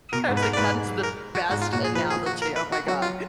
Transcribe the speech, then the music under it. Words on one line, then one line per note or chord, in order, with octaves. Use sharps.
I was like, "That is the best analogy." Oh my God.
B2 A#4
G#2
B4
A#4
D5
G#2 B4
A#4
F#4
G#2 F#4
F4
A#2 F#4
G#4
F3 B4
G#4
F#4
A#4
B4
F#4
F#3 F#4
F4